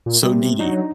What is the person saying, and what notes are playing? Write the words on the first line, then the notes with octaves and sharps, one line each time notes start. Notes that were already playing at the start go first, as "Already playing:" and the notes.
so needy.
A#2
C3 G3
F#3 D4 D#4 A#5